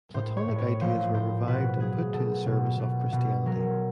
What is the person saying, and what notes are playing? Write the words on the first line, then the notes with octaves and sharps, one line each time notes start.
Platonic ideas were revived and put to the service of Christianity.
A2 C5
C#5
A2
C#5
F3 C5
A2 C5
B2 B4
F#3 G#4
B2 A4
B2
B2
B2
F#3 A#4